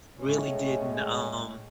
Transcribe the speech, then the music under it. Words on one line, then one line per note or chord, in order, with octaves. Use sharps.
really didn't, um,
A2 G#3 C#4